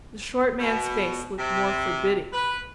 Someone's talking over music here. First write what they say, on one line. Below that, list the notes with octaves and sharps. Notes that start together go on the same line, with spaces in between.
The short man's face looked more forbidding.
B2
C3
B4